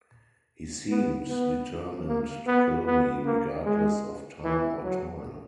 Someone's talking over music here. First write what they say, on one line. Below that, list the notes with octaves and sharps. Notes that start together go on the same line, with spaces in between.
He seemed determined to kill me regardless of time or toil.
B3
B3
A#3
B3
B3
A#3
G#3
E3
F#3